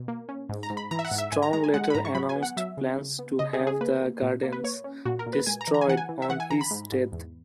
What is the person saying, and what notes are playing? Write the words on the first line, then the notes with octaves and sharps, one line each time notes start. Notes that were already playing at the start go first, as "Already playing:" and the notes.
Strong later announced plans to have the gardens "destroyed" on his death.
Already playing: B2
A#3
C#4
G#2
A#5
G#2
B5
E3 A#5
E5
F#5
G#2
E5
G#2 G#5
A#5
G#3 A#5
G#5
G#3 F#5
F#5
B5
G#2 A#5
C#6
F#3 B5
G#5
B3
F#5
F#3 E5
C#3
C#3
B3
C#3 D#5
G#4
C#3
G#4
A#3 B4
A#3
A#2
A#3
B4
A#3 C#5
C#4
A#2 F#4
A#4
A#2
B4
G#3 G#5
A#5
E3
A#5
G#5
E3 F#5
G#5
E3
E5
E3 F#5
G#5
E3 A#5
B5
G#2
G#2
E2